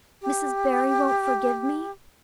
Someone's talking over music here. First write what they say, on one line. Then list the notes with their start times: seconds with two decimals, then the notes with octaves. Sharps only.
"Mrs. Barry won't forgive me?"
0.22 G4